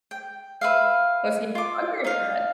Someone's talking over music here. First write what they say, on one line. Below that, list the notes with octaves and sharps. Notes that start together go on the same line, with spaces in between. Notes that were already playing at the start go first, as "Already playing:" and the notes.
Was he a dog or a cat?
G5
B4 E5 F5
F4 D6
D#4 F5